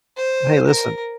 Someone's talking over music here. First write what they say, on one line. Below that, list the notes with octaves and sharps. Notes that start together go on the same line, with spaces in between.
Hey listen
C5
A#4